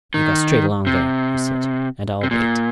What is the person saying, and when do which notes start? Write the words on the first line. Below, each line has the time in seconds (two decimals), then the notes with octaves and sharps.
"You go straight along there," he said, "and I'll wait."
0.14 D#3
0.87 C3
2.23 C3
2.31 A#2